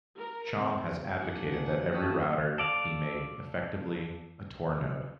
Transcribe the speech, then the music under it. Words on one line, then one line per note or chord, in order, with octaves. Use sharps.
Chaum has advocated that every router be made, effectively, a Tor node.
A#4
C4
D#3 A#3 D4 E4 F#4 G#4 F#5 G#5
A3 D#4 F4 B4 G5 A5 C#6 D#6
A4 D5 F5